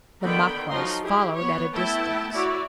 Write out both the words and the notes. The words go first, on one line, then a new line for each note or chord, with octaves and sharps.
The Maquas followed at a distance.
D3 D#3 B3 G5 B5
F3 F#3 D#4 C6
E4 G4 G#4
B3 C#5
A3 B3 E4 G5 A5
E4 F#4 C#5 D5